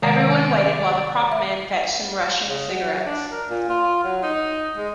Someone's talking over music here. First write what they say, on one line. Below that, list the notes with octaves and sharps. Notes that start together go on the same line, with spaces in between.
Everyone waited while the prop man fetched some Russian cigarettes.
C3 D#3 G#3 D5
E5
C#3
F#3
D4
A#4
A#2
F4
F#3
D#4
G#3